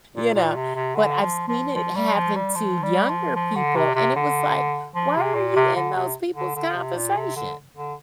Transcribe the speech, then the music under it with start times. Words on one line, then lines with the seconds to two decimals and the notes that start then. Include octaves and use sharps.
you know, but I've seen it happen to younger people, and it was like, "Why are you in those people's conversation?"
0.16 A#2
0.35 A#2
0.56 C3
0.75 C3
0.96 D3
1.21 F3
1.48 F3
1.75 F3
1.95 G3
2.16 F3
2.36 G3
2.56 F3
2.83 G3
3.09 F3
3.36 F3
3.55 D3
3.76 C3
3.95 C3
4.16 D3
4.95 F3
5.16 C3
5.35 A#2
5.56 C3
5.76 D3
5.96 C3
6.35 D3
6.56 D3
6.75 C3
6.96 A#2
7.16 C3
7.36 D3
7.76 D3